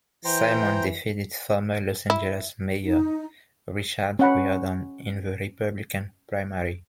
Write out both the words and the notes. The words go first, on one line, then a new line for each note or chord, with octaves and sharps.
Simon defeated former Los Angeles Mayor Richard Riordan in the Republican primary.
E3 C5 G5 A#5
E4
D#4
C#4 F#5 B5